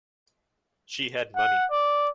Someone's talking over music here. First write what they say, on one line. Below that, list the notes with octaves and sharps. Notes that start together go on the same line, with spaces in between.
She had money.
F#5
D5